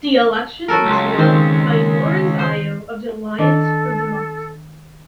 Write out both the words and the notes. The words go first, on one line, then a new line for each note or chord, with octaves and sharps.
The election was won by Lawrence Ayo of the Alliance for Democracy.
F#3 A4 A#4
C#2
D#3 C4
C5
D#3 D4 A4 D#5